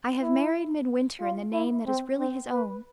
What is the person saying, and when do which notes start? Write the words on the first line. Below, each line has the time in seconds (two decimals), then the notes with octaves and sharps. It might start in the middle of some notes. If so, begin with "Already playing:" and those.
I have married Midwinter in the name that is really his own.
0.20 E4
1.20 F4
1.53 E4
1.86 C4
2.19 C4
2.53 B4